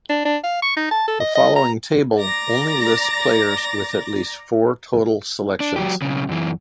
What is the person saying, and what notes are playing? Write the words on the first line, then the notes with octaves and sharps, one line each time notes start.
The following table only lists players with at least four total selections.
D4
D4
F5
C#6
D#4
A5
A4
D#5
D#5
A#5
D5 A#5 A6 A#6
D4
F#3 G4
B1 C#3
F#2 E3